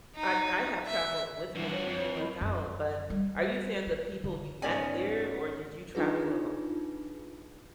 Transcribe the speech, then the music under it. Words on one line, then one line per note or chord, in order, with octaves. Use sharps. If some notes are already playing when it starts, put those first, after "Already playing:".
I I have traveled with family and without, but are you saying the people you met there or did you travel alo
D#4
E5
G2 E3 F#4
C#5
F2
E4
F#2
G3
E4
D3
G#2 B3 C#4 D5 G#5
D4 D#4 F4 G#4 B4